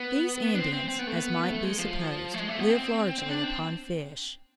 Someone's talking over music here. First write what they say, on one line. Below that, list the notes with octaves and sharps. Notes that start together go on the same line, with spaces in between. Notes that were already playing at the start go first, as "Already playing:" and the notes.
These Indians, as might be supposed, live largely upon fish.
Already playing: B3
D4
C4
C4
C4
B3
A3
B3
B3
A3
G#3
F3
A3
G#3
A3
B3
C4
C4
D4
C4